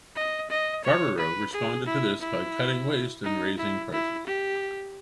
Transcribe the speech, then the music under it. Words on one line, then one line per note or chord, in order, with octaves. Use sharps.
Farberow responded to this by cutting waste and raising prices.
D#5
D#5
C#5
B4
G#4
E4
E4
D#4
E4
E4
G4